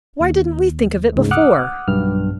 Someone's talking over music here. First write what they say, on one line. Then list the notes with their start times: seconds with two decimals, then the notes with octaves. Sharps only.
"Why didn't we think of it before?"
0.20 D#2
1.15 D2 G#2 C#3
1.31 F#5 D6 D#6 F6 F#6
1.88 B1 G2 F6